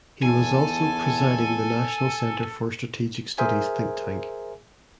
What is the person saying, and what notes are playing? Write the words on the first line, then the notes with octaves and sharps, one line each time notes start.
He was also presiding the National Centre for Strategic Studies think tank.
E2 A4 G#5 A5
G#4 A#4 C5 E5 G#5